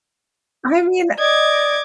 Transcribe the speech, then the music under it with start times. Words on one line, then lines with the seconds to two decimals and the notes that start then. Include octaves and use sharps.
I mean,
1.19 D5 D#5 D6 G#6